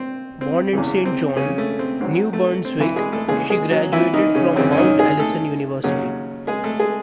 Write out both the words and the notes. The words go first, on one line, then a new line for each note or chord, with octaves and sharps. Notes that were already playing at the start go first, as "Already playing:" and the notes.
Born in Saint John, New Brunswick, she graduated from Mount Allison University.
Already playing: C4
C4
E2 C#3 E3
C4
C#3 C#4
A3
C4
G#2 F#3 C4
A3
C4
E3 E4
G#3 G#4
A3 A4
D#2 C#3 E3 G#3 G#4
G#3 G#4
F#3 F#4
E3 E4
D#3 D#4
C#3 C#4
F#2 C#3 E3 C4
C#4
D#3 D#4
G#3 G#4
A3 A4
D#2 C#3 F#3
G#3 G#4
A3 A4
G#3 G#4